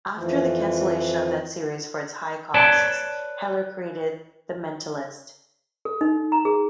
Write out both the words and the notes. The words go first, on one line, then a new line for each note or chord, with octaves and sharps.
After the cancellation of that series for its high costs, Heller created "The Mentalist".
F2 E3 F3
B4 C#5 D5 A5
A4
D#4
A#5
G#4